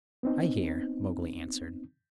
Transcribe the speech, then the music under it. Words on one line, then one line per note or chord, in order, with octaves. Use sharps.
"I hear," Mowgli answered.
B3 C4 D#4